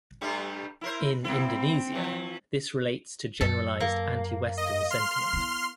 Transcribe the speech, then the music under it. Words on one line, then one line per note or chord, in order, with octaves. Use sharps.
In Indonesia this relates to generalised anti-Western sentiment.
G2 G3 A3
E4 A#4 C5
A#3 C4 E4
E3 F3
F#2 A4
A#3
D#5
C6 F6 C7
B3 E4